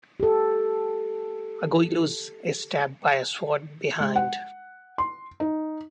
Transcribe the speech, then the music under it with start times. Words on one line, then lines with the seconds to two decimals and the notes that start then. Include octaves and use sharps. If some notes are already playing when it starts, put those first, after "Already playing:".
Aguiluz is stabbed by a sword behind.
0.20 G4 A4
4.00 G#3
4.16 F#5
4.98 C6
5.40 D#4